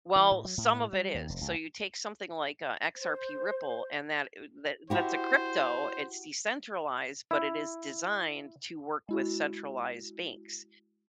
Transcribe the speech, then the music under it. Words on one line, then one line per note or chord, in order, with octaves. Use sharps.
Well, some of it is, so you take something like, uh, XRP Ripple, and that it would that that's a crypto, it's decentralized, but it is designed to work with centralized banks.
E3
A2
F#3
A2
G3
D#2
F1
C#2
C5
E4 F#4 G4 C5
E4
G#3 E4 F#4